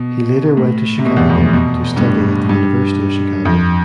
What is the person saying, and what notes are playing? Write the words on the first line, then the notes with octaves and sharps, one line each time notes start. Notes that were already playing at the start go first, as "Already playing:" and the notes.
He later went to Chicago to study at the University of Chicago.
Already playing: B2
A2
C3
B2
E2
F2
A2
B2
G2
A2
G2
F2